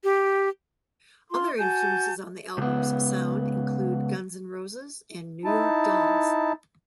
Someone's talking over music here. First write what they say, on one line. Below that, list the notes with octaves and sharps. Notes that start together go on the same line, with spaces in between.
Other influences on the album's sound include Guns N' Roses and New York Dolls.
G4
F4 C6
F#4 G#5 A5 G6
C#2 B3
D#4 E4 A5